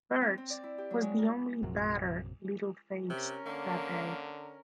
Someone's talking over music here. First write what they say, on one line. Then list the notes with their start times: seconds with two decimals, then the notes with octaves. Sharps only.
Wertz was the only batter Liddle faced that day.
0.21 C4
0.38 C4
0.50 D5
0.63 E4
0.78 G4
0.91 F#3
1.02 G#3
1.19 A#4
1.63 A#1 F#2 C3 F#3
3.10 C3 C#4 A#4
3.46 D3 A#3